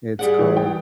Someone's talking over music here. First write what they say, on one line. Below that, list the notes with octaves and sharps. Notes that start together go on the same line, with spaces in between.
it's called
G3 G#4 D5 F#5
E3
G5